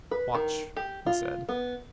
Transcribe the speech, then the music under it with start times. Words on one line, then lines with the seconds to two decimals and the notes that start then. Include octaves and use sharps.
"Watch," he said.
0.11 B4
0.35 D#3
0.77 G4
1.06 F4
1.49 B3